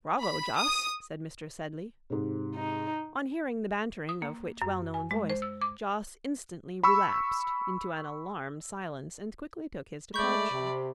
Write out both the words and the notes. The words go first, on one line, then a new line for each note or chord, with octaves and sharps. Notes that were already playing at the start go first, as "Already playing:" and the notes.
"Bravo, Jos!" said Mr. Sedley; on hearing the bantering of which well-known voice, Jos instantly relapsed into an alarmed silence, and quickly took his departure.
B5
D#6
G#2 C3
D#4
D#6
A#3
F#2
G#5
G#3
C5
E6
D6
B5 C#6 E6
G#3 A3 D5 B5 C#6 G6
C3